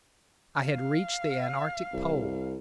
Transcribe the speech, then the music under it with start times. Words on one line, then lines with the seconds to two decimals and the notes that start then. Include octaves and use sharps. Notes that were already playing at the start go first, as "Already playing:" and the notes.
I had reached the antarctic pole.
0.64 F5
1.93 C2